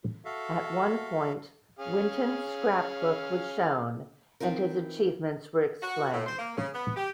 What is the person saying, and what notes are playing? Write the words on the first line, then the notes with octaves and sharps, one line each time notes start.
At one point, Winton's scrapbook was shown and his achievements were explained.
F#4 A4 E5 F5
C#4 G#4 F5
E3 C4 D#4 F4 A#4
F#4
A2
C5
A#3
C#3
B3
G4